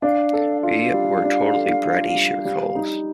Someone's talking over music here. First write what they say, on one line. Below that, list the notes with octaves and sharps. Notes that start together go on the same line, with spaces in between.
"We were totally bratty," she recalls.
D4 F5
A4
F4 F5
G3
D4
A4
F4
G3
G3
D#4